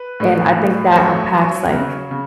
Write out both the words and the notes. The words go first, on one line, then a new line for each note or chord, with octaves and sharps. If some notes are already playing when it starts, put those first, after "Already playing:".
And I think that unpacks, like,
Already playing: B4
A2
A2
C5
F#3 C#5
F#3
C#3
C#3